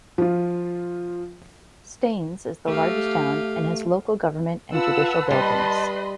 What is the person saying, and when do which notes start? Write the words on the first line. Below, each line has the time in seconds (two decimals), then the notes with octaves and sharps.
Staines is the largest town and has local government and judicial buildings.
0.18 F3 F4
2.68 A3 G4 F5
4.74 F4 B4 F#5 A5 E6
5.31 G3 D#5 A5 B5 C6